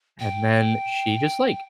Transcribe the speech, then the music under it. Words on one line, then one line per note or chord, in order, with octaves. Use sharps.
and then she just, like,
G5